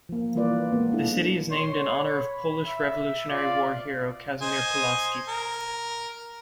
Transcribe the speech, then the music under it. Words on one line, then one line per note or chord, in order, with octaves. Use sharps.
The city is named in honor of Polish Revolutionary War hero Casimir Pulaski.
F3 A#3
E3 G3 A#3 F4 B4 D5
G#3 A#3 B3
D4 E4 G#4 A4
C#5 C6
B5
E5
F4 D5
C5 D#5 G#5
A#4